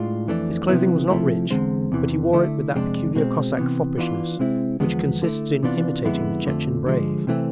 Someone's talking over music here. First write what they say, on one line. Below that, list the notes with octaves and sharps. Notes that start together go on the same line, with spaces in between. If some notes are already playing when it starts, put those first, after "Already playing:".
His clothing was not rich, but he wore it with that peculiar Cossack foppishness which consists in imitating the Chechen brave.
Already playing: A2 G#3 D4 F4
F2 E3 A3 D4
C3 F3 B3 E4
C3 F3 A3 E4
E2 D3 G#3 C4
E2 C3 E3
D3 A3 E4
F2 C3 G#3 B3 D4
B2 G#3 C4
C3 E3 B3
E3 B3 D4 F4
C3 G#3 C4 E4
E2 D3 F3 G#3 B3
D3 A3 E4
C3 E3 B3 D4 F4
F2 D3 G#3 B3 E4
F2 D3 F3 A3
D3 F3 G#3
C3 E3 A3 C4